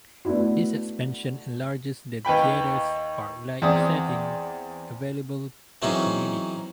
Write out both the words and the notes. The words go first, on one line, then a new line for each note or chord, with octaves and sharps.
This expansion enlarges the theatre's park-like setting available to the community.
A3 B3 D4 E4 F#4
D#2 B4 G5 B5
E2 C4 D5 D#6
E3 F#3 C4 C#4 D#4 G#4